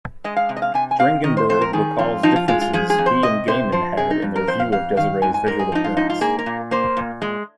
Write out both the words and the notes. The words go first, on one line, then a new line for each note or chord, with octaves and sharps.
Dringenberg recalls differences he and Gaiman had in their view of Desire's visual appearance.
G#3 D#5
F5
C3
D#5
F5
C3 G#5
G#5
C4 F5
D#3 D#5
C5
F2 C5
A#4
D#3 G#4
F2 F4
F3 D#4
F4
G#3 F4
F4
F3 G#4
G#4
F2
C5
C3 D#5
C3 C5
F3 C5
C3 G#4
D#4
F2
A#4
F2 C5
F5
F2 F5
D#3 F5
G#2 G#5
G#5
G#2 A#4
G#4
F3 D#4
F4
G#2 D#4
F4
A#3 G#4
A#4
A#2
A#3 C5
A#2
G#3